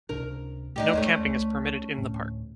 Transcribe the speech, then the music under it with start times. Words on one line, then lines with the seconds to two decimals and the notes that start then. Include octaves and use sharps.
No camping is permitted in the park.
0.09 C#2 C3 D4 A#4
0.76 A3 D4 D#4 G4
0.93 D#2 G#3 A3 C#4 C5
1.27 C#2
1.98 D2 A2